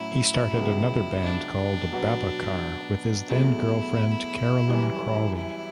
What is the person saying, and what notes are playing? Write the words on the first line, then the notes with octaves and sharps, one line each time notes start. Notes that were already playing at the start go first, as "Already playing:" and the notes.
He started another band called Babacar with his then-girlfriend Caroline Crawley.
Already playing: A2 F#3 C#4 E4
C#2 C#3 F#3 B3
D4
B2 F#3 B3 F#4
E2 B2 F#3 A3 E4
F#2 E3 G3
E4